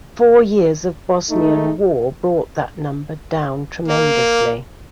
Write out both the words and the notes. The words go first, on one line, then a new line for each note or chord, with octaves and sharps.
Four years of Bosnian War brought that number down tremendously.
G#3 A3 D#4
A#3